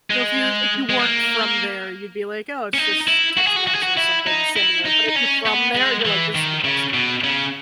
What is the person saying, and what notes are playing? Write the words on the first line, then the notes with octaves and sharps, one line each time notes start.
So if you if you weren't from there, you'd be like, "Oh, it's just Tex-Mex or something similar," but if you're from there, you're like, "This is New Mexico."
G#3
G#3
A#3
C#4
D#4
E4
F#4
G#4
F#4
F#4
G#4
F#4
E4
D#4
E4
D#4
D#4
C#4
B3
G#3
E3
D#3
C#3
B2
C#3